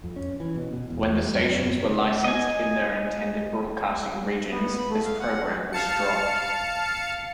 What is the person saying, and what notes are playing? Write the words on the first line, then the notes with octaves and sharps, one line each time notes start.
When the stations were licensed in their intended broadcasting regions, this program was dropped.
F2
C#4
E3
B2
B2
E1
E2
G3
F#2
G1
C#3
D#5 G#5
B3
B5
A3
F5
F#5
F5 A5 C#7